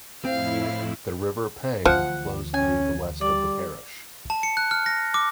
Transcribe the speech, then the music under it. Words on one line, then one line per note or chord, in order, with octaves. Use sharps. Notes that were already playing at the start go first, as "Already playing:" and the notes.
The River Pang flows through the west of the parish.
F2 A2 C4 E4 F5
D2 E3 F3 F#5
C#4 G#5
G3 D5
A5
C#7
F#6
F6
A#6
D6